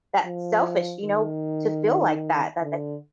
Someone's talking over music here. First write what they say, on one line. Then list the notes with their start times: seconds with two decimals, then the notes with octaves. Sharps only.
that selfish you know, to feel like that, that that
0.24 F3
1.04 D#3
2.62 D3